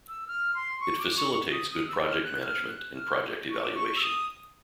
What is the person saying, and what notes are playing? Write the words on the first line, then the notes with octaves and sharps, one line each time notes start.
It facilitates good project management and project evaluation.
E6
F6
C6
C#6
D6
C#6
D#6
D#6
E6
F6
F#6
F6
F#6
F6
C#6
D6
C#6
C#6
E6
D#6